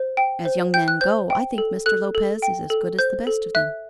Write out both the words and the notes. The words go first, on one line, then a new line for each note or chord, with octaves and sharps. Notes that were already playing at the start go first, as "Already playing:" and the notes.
As young men go, I think Mr. Lopez is as good as the best of them.
Already playing: C5
G5
C5
G5 G6
F#6
C5 G6
G5
A4
A4 F#6
A4
G5
A4
C5 G6
A4
E5 F#6